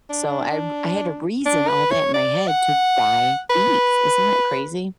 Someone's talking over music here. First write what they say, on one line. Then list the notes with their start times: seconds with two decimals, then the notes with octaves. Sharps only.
So, I r I had a reason all that in my head to buy beef. Isn't that crazy?
0.10 D4
1.46 D4
1.68 B4
1.91 C#5
2.14 D5
2.48 F#5
3.50 B4